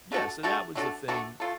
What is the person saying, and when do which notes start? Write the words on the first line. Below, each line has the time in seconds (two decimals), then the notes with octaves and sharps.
yeah, so that was the thing
0.12 A3 D4 F#4 A4
0.43 A3 D4 F#4 A4
0.75 A3 D4 F#4 A4
1.08 A3 D4 F#4 A4
1.40 A3 F4 A4